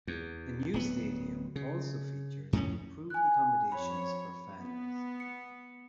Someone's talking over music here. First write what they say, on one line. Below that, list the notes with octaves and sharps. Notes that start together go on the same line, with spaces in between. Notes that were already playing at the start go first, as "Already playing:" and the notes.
The new stadium also features improved accommodations for fans.
E2
D1 B3
C#3
F2 A2 C#4
G#5 F#6
F2 C#5 B5
B3
C#7